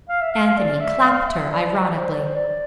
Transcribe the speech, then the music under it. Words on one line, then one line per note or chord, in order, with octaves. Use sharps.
Anthony clapped her ironically.
F5
E5
F5
F5
D5
E5
F5
E5
D5
C5
D5
C5
D5